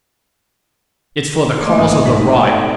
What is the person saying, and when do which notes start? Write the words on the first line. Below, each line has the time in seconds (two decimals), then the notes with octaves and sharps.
It's for the cause of the right.'
1.61 A3 A#3 D#5 C6 D6 G#6
1.78 G#1 D3 D#6
2.06 G#1 B2 D#4 B6
2.41 A3 D5 G#6